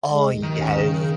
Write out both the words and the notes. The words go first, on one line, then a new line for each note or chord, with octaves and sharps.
Oh, yes.
G#3
D#2
D#2 D#3
C#4
C#3
C#3